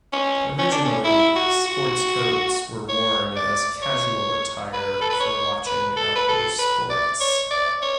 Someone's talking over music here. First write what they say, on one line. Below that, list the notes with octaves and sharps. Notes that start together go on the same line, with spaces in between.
Originally, sports coats were worn as casual attire for watching outdoor sports.
C#4
C#4
D4
C#4
E4
F#4
F#4
C#5
D5
C#5
B4
A4
B4
C#5
B4
A4
B4
A4
B4
D5
C#5
D5
C#5